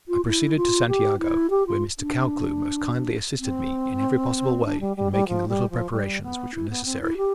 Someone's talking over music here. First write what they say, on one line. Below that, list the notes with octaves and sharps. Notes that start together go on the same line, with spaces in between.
I proceeded to Santiago, where Mr. Caldcleugh most kindly assisted me in every possible way in making the little preparations which were necessary.
F4
E4
F4
G4
E4
G4
F4
D4
C4
D4
G3
G3
G3
F3
G3
F3
G3
B3
E4
B3
C4
E4
G4